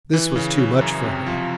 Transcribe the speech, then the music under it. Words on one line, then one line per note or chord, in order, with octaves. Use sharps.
This was too much for her.
E3
C#3
C#3
F#2
C3
F3